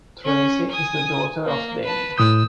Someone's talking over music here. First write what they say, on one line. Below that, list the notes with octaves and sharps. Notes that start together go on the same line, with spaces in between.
Tracy is the daughter of Dany.
C#4
G#5 D#6
A#3
B4 A5
A2 D#6 E6 G6